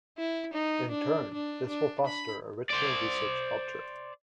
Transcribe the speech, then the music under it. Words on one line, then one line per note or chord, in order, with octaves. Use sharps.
In turn, this will foster a richer research culture.
E4
D#4
D4
D4
D4
B5
C5 D5